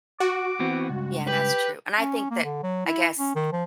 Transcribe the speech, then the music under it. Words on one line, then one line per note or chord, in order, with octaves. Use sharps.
Yeah, that's true. And I think that, I guess,
F#4 D6
E3 B3 C4
C#2 G2
G4 B4
C#4
A#3
D3
F#3
E4
C#4
D#3
F3